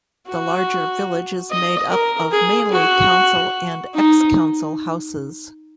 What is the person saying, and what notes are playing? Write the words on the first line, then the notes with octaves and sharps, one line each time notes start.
The larger village is made up of mainly council and ex-council houses.
F#4
D#5
A#4
G#4
F#4
D#4